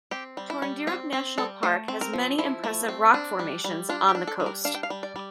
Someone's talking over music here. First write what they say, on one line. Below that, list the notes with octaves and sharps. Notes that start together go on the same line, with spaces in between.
Torndirrup National Park has many impressive rock formations on the coast.
C4 G4
G3
E4
G3
C4 F4
C4
G3 A4
A3 C5
C4
A#4
F3
F3 E4
A3
C4
D4
G3
G3
D4 F4
G4
D4
A4
G3
A#4
D4 F5
G5
F5
G3
D5
G3